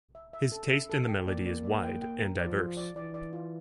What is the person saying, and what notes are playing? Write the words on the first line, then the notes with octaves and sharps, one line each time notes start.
His taste in the melody is wide and diverse.
E5
E5
A4
E5
A4
G5
A#3 D5
D5
D5
G5
G5
A#4
F3 D5
F4
D5
E3 D5
D5
F4